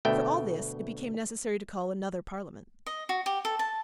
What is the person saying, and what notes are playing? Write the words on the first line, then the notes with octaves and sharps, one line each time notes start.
For all this, it became necessary to call another Parliament.
D2 B2 A3 G5
D#5
F#4
G4
A4
A5